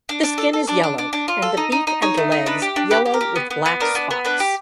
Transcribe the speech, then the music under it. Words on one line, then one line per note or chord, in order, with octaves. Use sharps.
The skin is yellow, and the beak and legs yellow with black spots.
D4
D4
A4
A4
D4 D5
D4
D4
D4
F4
A4
D#4
D#4
D#4
D#4 C#5
A3
D#4
D4 B4
G4
D4
G4 B4
G4
A#4
G4
B3
B3
B3
D4 A#4
B3
B3
D4 B4
G4